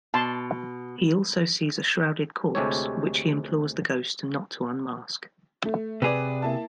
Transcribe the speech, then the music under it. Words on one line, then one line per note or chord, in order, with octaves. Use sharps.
He also sees a shrouded corpse, which he implores the Ghost not to unmask.
B2 A5 C6
D2 C3 G#3 G4 A4 C#5
A3
C3 G#4 B4 D5
A#3 E4 A5